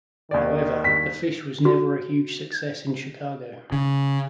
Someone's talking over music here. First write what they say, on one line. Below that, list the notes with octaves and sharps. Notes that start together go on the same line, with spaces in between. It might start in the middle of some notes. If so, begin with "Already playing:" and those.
However, "The Fish" was never a huge success in Chicago.
D#2 D#3 D5
B6
F#4
C#3